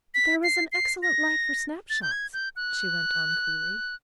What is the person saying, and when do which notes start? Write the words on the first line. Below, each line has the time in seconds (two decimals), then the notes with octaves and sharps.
"There was an excellent light for snapshots," she went on coolly.
0.15 B6
0.43 C7
0.72 C7
1.03 A#6
1.90 A6
2.02 G6
2.11 G#6
2.33 G6
2.56 F#6